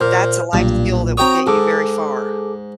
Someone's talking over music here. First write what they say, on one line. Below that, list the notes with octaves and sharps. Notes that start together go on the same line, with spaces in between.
that's a life skill that will get you very far.
A#2 C5 F6
B1 G2 A#2
C4 F#4 C#5 G5 A#5 D#6
G#2 G#4 A4 D6